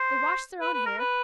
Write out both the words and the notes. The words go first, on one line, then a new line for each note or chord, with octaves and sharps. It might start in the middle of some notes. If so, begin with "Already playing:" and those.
They washed their own hair.
Already playing: C5
B4
B4
A#4
B4